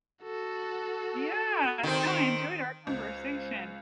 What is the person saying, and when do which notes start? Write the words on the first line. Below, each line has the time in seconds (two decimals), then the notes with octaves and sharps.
Yeah, no, I enjoyed our conversation.
0.23 F#4 A4
1.83 D#3 C4
2.87 C#2 C5 F5